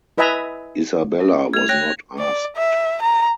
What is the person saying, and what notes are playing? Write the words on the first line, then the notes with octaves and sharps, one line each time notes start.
Isabella was not asked.
E4 B4 D#5 E5 G#5 A#5
C#4
A3 G#6 F7
C#5 G5 F#6 A#6
D5
E5
A#5